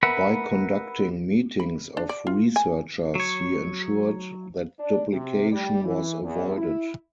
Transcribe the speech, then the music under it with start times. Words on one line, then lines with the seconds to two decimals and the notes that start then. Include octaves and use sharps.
By conducting meetings of researchers he ensured that duplication was avoided.
0.03 A#4 B4 E5 F#5 B5
1.60 B5
1.97 D4
2.09 D5
2.27 F4
2.56 G#5
3.15 F#3 C#5
4.80 D4
5.13 C3
5.51 G3
5.85 E3
6.23 E2
6.57 E4